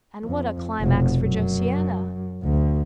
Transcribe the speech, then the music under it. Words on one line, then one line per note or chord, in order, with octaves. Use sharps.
And what a climax for Josiana!
F2
F1 B2
F#2
D2 D3